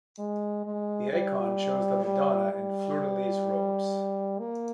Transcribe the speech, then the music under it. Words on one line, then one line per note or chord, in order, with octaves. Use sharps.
The icon shows the Madonna in fleur-de-lis robes.
G#3
G#3
G3
G3
G3
A#3